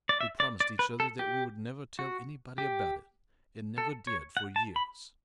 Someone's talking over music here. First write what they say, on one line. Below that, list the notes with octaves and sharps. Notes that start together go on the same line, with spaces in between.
We promised each other that we would never tell anybody about it, and never did for years.
D5
E5
D5
D5
B4
A4
G4
F#4
G4
A4
C#5
F#5
A5
B5